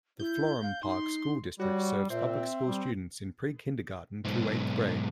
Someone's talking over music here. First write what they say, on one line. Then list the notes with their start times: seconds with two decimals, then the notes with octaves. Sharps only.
The Florham Park School District serves public school students in pre-kindergarten through eighth grade.
0.20 E4 G6
0.62 F5
0.83 D#4 C6
1.60 G3 F#4 C#5
2.10 A#2 C4 E5
2.66 G3
4.25 B1 G#2